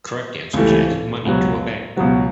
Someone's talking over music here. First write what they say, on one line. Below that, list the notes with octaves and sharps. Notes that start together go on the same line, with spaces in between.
Correct answers added money to a bank.
C#2 C3 E3 A3
C#2 B2 F#3 B3
C#2 B2 F#3 B3